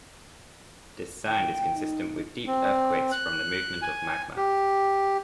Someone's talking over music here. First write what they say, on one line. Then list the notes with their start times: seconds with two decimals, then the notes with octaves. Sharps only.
This sound is consistent with deep earthquakes from the movement of magma.
1.27 G5
1.74 D#4
2.47 C4
3.12 F#6
3.82 G#5
4.37 G4